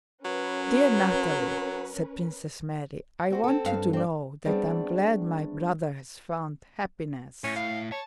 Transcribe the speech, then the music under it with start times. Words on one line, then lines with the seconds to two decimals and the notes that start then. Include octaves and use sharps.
"Dear Natalie," said Princess Mary, "I want you to know that I am glad my brother has found happiness...."
0.25 F#3 C#4 A#4 B4
3.30 C4 F#4 C5
3.44 C4 A4
3.65 G2 F5
3.93 C4 D5
4.45 G3 A3 B3 C4 D4 G#4
7.44 A2 C#4
7.56 F5
7.92 C#5 A5